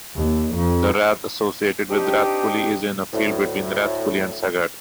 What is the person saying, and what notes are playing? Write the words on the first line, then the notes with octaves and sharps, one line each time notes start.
The rath associated with Rathcoole is in a field between Rathcoole and Saggart.
D#2
F2
C4 D4 D#4 G4
D2 A2